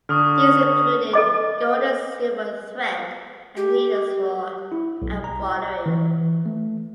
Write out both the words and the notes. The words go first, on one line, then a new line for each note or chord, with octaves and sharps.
These included gold and silver thread and needles for embroidery.
D3 C#6 D#6 F6
A4 D#5 D6
G4
E4
B1
A#5
E3
A3